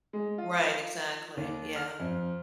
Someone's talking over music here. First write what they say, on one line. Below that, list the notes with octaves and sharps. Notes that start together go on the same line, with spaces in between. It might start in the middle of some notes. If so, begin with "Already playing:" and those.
Right, exactly, yeah.
G#3
F4
D#2
F6
F2